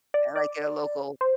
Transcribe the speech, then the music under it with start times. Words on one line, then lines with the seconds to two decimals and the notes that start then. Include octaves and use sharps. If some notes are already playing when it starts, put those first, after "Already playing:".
uh, like, at a local
0.14 D5
0.36 D5
1.21 C5